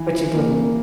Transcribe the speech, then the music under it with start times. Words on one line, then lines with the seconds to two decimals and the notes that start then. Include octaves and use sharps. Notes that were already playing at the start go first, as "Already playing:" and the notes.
But you didn't.
Already playing: E3
0.13 E3
0.34 A#3